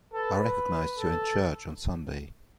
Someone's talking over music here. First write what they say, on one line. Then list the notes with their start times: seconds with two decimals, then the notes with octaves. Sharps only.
I recognized you in church on Sunday.
0.13 A4 B4
0.99 A4